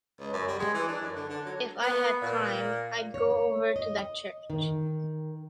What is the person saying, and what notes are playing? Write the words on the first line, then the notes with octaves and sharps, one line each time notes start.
If I had time I'd go over to that church.
C#2
F#2
G3
G#3
E3
D4
F#2
D3
D3
F#3
B3
A#2
C#5
D#5
D#3